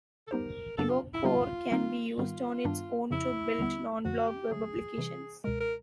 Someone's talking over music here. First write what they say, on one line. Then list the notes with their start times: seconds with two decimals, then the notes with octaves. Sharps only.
EvoCore can be used on its own to build non-blog web applications.
0.27 A4
0.31 G3 B3 D#4 G4 A#4 C5
0.77 F#2 C#3 F#3 B3 D4 A4
0.89 F4
1.13 E4
1.25 D3 G3 B3 D#4 F4
1.71 D#3 G3 C4 D#4
2.18 G#2 D#3 G3 B3 F4
2.65 G2 D#3 G3 B3 D4
3.11 F2 C#3 F3 E4
3.58 D#2 D3 G3 B3
4.05 F2 D3 F3 F#4
4.27 G4
4.51 D3 F#3 A3 G#4
4.98 C3 E3 G3
5.44 C#2 B2 G#3 A#4
5.60 A#4